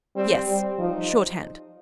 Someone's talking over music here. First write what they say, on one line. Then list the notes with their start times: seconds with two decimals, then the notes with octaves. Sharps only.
'Yes, shorthand.
0.16 G3 C4
0.48 G3
0.79 F3 D#4